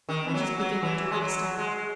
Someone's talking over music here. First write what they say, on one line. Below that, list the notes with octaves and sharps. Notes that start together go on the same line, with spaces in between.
I am just beginning to understand.
D#3
E3
F#3
F#3
E3
G#3
F#3
G#3